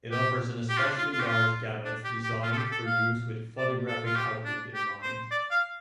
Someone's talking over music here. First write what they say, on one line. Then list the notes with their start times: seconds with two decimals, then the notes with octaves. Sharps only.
It offers an especially large gamut designed for use with photographic output in mind.
0.11 G4
0.69 G4
0.78 F4
0.83 D4
0.98 F4
1.12 F4
1.20 G4
1.27 F4
1.85 D4
2.04 G4
2.23 G4
2.43 F4
2.52 A4
2.57 G4
2.72 A4
2.86 F5
3.58 D5
3.87 A4
4.05 F4
4.16 G4
4.45 D4
4.74 G4
5.03 C5
5.31 D5
5.51 F5